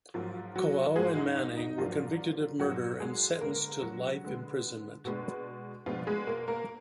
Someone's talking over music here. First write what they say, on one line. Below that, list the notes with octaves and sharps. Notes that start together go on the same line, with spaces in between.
Kouao and Manning were convicted of murder and sentenced to life imprisonment.
G#2 F3 F#3 A#3 F4
F#3 F#4
G#2 F#3 G#3 A#3 G#4
D#4
D#4
D#4
G#2 F3 F#3 A#3 D4 F4
G#2 F#3 A#3 D4 F#4
G#3 G#4
D3 G#3 A#3 B3 A#4
F#3 F#4
D3 G#3 B3
B2 G#3 B3 D4
B2 F3 G#3 B3 D4 F4
G#3 G#4
A#3 A#4
A#3 A#4